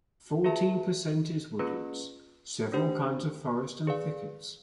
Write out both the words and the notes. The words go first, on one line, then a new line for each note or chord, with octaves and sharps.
Fourteen percent is woodlands - several kinds of forest and thickets.
F4 G#4 B4 E5 A5
A#3 C#4 F4 G#4 B4
A3 D4 G4 C5
G#4 B4 D5 F5